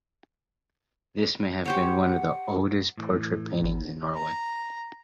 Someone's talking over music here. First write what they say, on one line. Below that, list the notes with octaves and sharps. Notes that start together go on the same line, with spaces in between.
This may have been one of the oldest portrait paintings in Norway.
G4 C5 C#5 F#5
A2 E3 A3
G#1
A#5